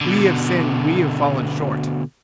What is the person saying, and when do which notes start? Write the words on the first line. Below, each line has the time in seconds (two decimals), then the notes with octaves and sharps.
We have sinned, we have fallen short.
0.01 B2 D3